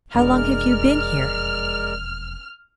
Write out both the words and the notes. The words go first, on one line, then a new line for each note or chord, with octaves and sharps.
"How long have you been here?"
E1 F2 G#3 A#4 D5 F6